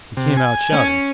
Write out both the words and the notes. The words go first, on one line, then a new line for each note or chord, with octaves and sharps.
He came out shouting.
C3
G#5
C#4